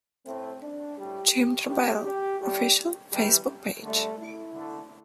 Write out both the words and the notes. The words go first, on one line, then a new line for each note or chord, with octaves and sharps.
Jim Tarbell, Official Facebook Page.
A2 A3 C4
D4
A2 G3 G4
A2 A3 G4
G4
A2 G3 G4
C3 E3 G3
D3 G3 A3
E4
D3 A3